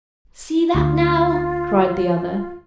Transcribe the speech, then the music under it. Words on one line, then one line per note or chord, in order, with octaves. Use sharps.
'See that now!' cried the other.
D2 F4